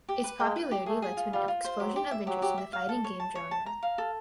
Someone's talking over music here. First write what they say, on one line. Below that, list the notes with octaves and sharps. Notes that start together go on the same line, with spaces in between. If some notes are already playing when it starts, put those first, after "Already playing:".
Its popularity led to an explosion of interest in the fighting game genre.
G4
B4
G#3 G5
B4
G4
A3 G#4
G#4
F4
G3 F4
F4
C5
F#3 G4
G4
E5
F#3 G4
G4
E5
F5
A4
C#5
A5
C#5
A5
A#5
F5
A4